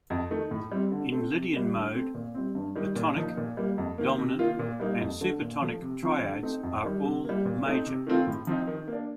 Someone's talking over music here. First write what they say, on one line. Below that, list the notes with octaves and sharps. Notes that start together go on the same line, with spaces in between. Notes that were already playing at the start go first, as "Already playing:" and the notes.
In Lydian mode, the tonic, dominant, and supertonic triads are all major.
F2
D#3 A3 D#4
A2
G3 C4
D3
A3 C4
C3
G3 A#3
D3
A3 C4
A#2
G3 C4
G2
D#3 G3
A#2
F3 A#3 D#4
A#2
G3 A#3
F2
D#3 A#3
C3
D#3 A#3 F4
A#2
G3 A#3 D#4
F2
D3 A3
A#2
F3 A3
C3
F3 C4 F4
D3
A3 C4 D#4
F2
D#3 G3
C3
G3 A#3
A#2
A3 C4 D#4
C3
D#3 A3 C4 F4
A2
F3 C4 D#4
D#3
A#3
D4